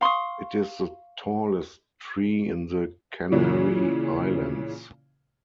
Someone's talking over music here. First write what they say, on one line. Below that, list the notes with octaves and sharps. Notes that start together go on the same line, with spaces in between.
It is the tallest tree in the Canary Islands.
F5 C6 C#6 D#6
A#2 C#3 E3